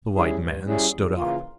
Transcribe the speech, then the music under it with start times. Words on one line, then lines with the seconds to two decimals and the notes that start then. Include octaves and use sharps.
The white man stood up.
0.15 G3 C#4 E4 G#4
0.40 G2
0.66 G3 C#4 E4 G#4
0.91 E2
1.16 C#3 E3 A#3 F4